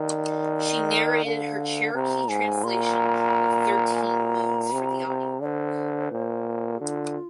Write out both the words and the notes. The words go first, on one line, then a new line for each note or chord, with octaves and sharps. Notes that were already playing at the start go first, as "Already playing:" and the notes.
She narrated her Cherokee translation of "Thirteen Moons" for the audio book.
Already playing: D#3 D5
D3 F5
C3 A#5
G#2 G#5
A#2 A#5 C6
G#5
A#5
C3
C3
D3 C5 D5
A#2
D3 F4